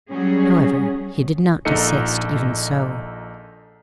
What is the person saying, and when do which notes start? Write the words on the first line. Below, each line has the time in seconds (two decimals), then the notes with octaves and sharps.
However, he did not desist even so.
0.10 F#3 G3 C#4 G#4
1.65 A#1 A#2 D#4 A4 D#5 C#7